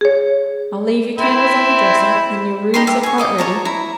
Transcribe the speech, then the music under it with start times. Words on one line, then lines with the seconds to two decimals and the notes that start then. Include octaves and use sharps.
I'll leave your candles on the dresser . . . and your rooms are quite ready . . .
0.01 G#4 C#5
1.18 C4 E4 E5
2.74 D#4 G4 B5 C6
2.87 G4 E5
3.03 G#5 C#6
3.18 C#5 D#5 D6
3.38 C#5 A5 A#5
3.65 E4 A#5